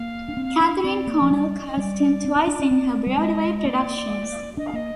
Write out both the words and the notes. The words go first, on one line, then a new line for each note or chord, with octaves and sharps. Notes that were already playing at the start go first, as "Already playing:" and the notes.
Katharine Cornell cast him twice in her Broadway productions.
Already playing: A#3 F5
D4
C4
D4
C4 D5
A#3
F3
G3
D#5
G3 D5
C4
D4
D4
D4
C4
G3 D5
G#3 D#5
D#5
A#3 D5
D4 D#5
F5
A#3 D#5